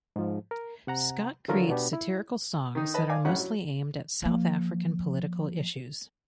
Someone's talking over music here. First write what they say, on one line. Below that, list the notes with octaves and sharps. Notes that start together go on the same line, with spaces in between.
Scott creates satirical songs that are mostly aimed at South African political issues.
G#2 F3
A#4
C3 F#5 A#5
D3 E3 F#3 F4 A4 A#4
B2 B3 D4 G4
E4
D#3 D#4
B4 D#5 A5 B5
D5 F5 G#5 D6
A1 G3 C#4 F#5
F#3
F3 A#3